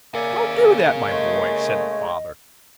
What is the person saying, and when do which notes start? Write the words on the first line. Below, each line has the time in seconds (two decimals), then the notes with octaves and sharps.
"Don't do that, my boy," said the father.
0.15 A#3 G#4 D5 E5 F5 G#5
1.10 G#3 A3 C#5 D#5